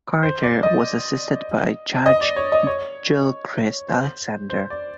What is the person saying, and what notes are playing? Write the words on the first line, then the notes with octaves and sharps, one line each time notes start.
Carter was assisted by Judge Gilchrist Alexander.
C5
D5
D#5
D#5
D5
C#5
D#5
C#5
C5
C5
D5